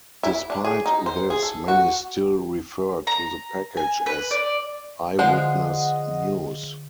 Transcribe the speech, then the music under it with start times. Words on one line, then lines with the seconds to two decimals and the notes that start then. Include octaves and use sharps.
Despite this, many still refer to the package as "Eyewitness News".
0.23 E4
0.50 D4
0.65 G#4
0.86 D#4
1.06 C5
1.30 G#4
1.43 A4
1.68 F#4
3.07 A#5
3.77 G#5
4.06 B4
4.31 D5
5.19 D3 F3 G#3 C5 D#5 F#5